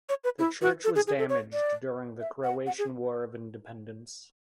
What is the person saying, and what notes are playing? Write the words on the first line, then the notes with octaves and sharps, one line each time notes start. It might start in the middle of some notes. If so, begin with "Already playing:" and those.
The church was damaged during the Croatian War of Independence.
C#5
B4
E4
F#4
A4
G#4
G#4
A4
C#5
D5
E5
F#5
F#5
G#4